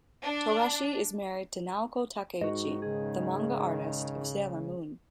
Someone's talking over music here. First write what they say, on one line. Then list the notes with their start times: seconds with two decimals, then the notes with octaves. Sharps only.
Togashi is married to Naoko Takeuchi, the manga artist of "Sailor Moon".
0.23 D4
2.41 G#2 D#3 F#4 D#5
2.82 C#2 C#3 G#4